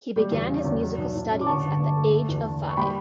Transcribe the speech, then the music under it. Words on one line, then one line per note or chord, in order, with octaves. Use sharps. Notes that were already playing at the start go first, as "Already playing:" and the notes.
He began his musical studies at the age of five.
G3
E2
C#3
E2
F#3
B1
A2
C#4
D6
D3 A5 C#6
G1
G2
A3
A3
E2
D3
D4
C#6
G3 G5 B5